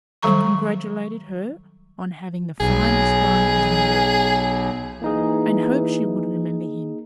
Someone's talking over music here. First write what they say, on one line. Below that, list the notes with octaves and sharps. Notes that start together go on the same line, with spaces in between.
It congratulated her on having the finest diamonds in Europe, and hoped she would remember him.
D#3 F#3 G3 A4 A#5 C#6
B1 G#4
E3 A#3 D#4 G#4